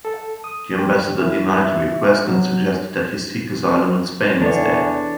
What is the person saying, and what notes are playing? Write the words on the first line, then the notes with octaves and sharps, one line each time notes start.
The ambassador denied the request and suggested that he seek asylum in Spain instead.
A4
D#6
G4
E4
E5
F#3
E2 D4 A4 B4 C#5 D5